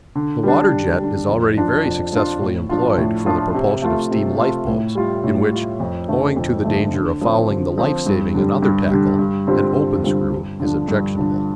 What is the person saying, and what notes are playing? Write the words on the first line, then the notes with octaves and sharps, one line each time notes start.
The water-jet is already very successfully employed for the propulsion of steam lifeboats in which, owing to the danger of fouling the life-saving and other tackle, an open screw is objectionable.
D3
G3 D4
D3
G3 D4
F2
F3 D4 F4
F2
F3 D4 F4
A2
F3 D4 F4
A2
F3 D4 F4
C3
A3 F4
C3
A3 F4
A2
G3 F4
A2
G3 F4
F2
D3 F3 A3
F2
D3 F3 A3
D3
F3 C4
D3
F3 C4
G2
D3 G3
G2
D3 G3
G2
D3 G3 C4 F4
G2
D3 G3 C4 F4
G2
D3 F3 D4
G2
D3 F3 D4